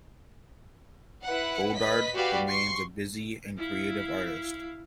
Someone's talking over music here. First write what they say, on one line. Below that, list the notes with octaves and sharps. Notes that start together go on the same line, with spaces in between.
Godard remains a busy and creative artist.
E4 B4 F#5
B4 D#5 B6
F#4 G4 B4 D5 F5
C6 C#6 C7
E4 F5